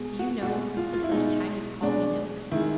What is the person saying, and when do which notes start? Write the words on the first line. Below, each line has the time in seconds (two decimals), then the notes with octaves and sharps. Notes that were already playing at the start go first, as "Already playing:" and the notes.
'Do you know, that's the first time you've called me "Noakes"?'
Already playing: B2 G#3
0.19 F#4
0.41 B2 G#3 F#4
0.77 F4
0.93 F4
1.03 E4
1.12 B2 G#3 D#4
1.82 B2 G#3 D4
2.51 D#3 G#3 E4